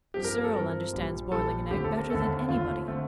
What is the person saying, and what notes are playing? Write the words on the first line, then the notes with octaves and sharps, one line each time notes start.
Serle understands boiling an egg better than any body.
G2 F3 C4 G4
A#4
A#4
A4
G2 F3 C4 A#4
A#1 A#2 G3
A#1 A#2 G3 A4
D#2 D3 A3 C4 G4
A4
A#4
D#2 D3 A3 C4 A4
D#2 D3 A3 C4 F4
D3 A3 C4